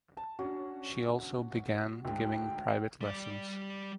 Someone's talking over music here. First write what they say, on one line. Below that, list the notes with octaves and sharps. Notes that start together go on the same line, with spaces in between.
She also began giving private lessons.
A5
C#4 D4 F#4
D2 G#2 G5
G3 D5